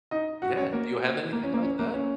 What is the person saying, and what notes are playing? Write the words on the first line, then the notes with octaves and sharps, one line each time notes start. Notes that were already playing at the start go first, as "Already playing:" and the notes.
Yeah. Do you have anything like that?
D#4 D#5
F#4 F#5
C#4 C#5
A#3 A#4
A#3
C#4
A#3
C#4
A#3
C#4